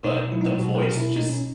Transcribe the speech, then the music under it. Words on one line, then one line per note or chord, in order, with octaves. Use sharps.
but the voice just
B2 D#4
F#3 E4
D#4
B2 F#4
B4
A#4
B2
E4
B2 D#4
C#4